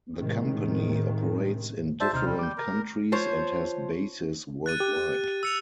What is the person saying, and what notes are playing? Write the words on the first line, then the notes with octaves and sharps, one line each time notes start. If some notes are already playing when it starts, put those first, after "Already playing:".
The company operates in different countries and has bases worldwide.
A2 C3 D#3 G#3
F#4 C5 D5 E5 A5
D#2 C3 D#4 C5 F6
G3
D6 G6
A#4
F3 C5 C#5
F#6 A6 D#7
G4
E6 C#7 F7